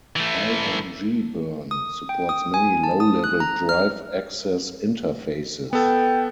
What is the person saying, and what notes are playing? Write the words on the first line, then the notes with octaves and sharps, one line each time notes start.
ImgBurn supports many low level drive access interfaces.
E3 A3
D#6
G5
D#6
G#5
A5
D#6
F#6
A#5
F6
B3 A4 G5